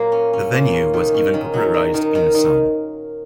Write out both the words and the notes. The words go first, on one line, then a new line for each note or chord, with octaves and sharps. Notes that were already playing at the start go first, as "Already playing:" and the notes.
The venue was even popularised in a song.
Already playing: A#2 F#3 A#3
C#4
C#4
A#2
C#4
D#3
C#4
D#3
F#3
F#3
D#3
D#3
D#3